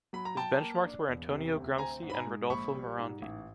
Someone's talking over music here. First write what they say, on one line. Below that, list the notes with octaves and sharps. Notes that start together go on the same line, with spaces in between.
His benchmarks were Antonio Gramsci and Rodolfo Morandi.
F#3 B5
A#5
F#3 G5 A5
A#3
D4
E1
C3
D2
C4 G#5 A#5
G#2
B5
G#5 A#5
G#3
A#1 B5 C#6
G3
G#2
A1